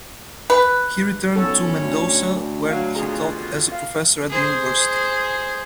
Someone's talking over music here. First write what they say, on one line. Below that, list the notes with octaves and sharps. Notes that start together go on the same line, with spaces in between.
He returned to Mendoza, where he taught as a professor at the university.
B4
B1 C#4 A4 F#5
D2
F#3 F5
F2 B2 F4 G#4 A#5
F5
G#4 C5